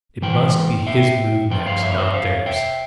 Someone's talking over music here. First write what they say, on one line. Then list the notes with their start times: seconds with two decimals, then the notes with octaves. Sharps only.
It must be his move next--not theirs!
0.22 G#2 E3 G5
0.87 E5 G5
1.50 G2 F3 G5
1.66 C#5 F5
1.83 E5
1.91 C#5
1.98 C5 E5
2.14 C#5 F5
2.46 E5 G5